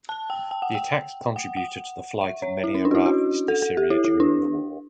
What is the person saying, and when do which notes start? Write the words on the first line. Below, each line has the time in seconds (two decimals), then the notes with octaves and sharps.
The attacks contributed to the flight of many Iraqis to Syria during the war.
0.09 A5
0.30 G5
0.51 G5
0.62 F#5
0.75 G5
1.36 F#5
1.57 F#5
2.21 E5
2.42 C#5
2.64 E4
2.75 C#4
2.85 D4
2.91 F#4
2.95 E4
3.06 F#4
3.48 A4
3.62 A4
3.77 G4
3.90 E4
4.05 E4
4.20 D4